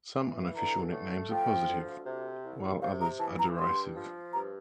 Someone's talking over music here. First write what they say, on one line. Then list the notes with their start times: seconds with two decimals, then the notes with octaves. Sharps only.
Some unofficial nicknames are positive, while others are derisive.
0.18 E3
0.55 D3 A#5
0.93 A3
1.31 F3 G5
1.68 D2
2.06 C3
2.45 C2
2.82 C3 F5
3.01 A#5
3.19 E3 A5
3.39 A#5
3.57 G2 C6
3.96 F3
4.33 G2 A#5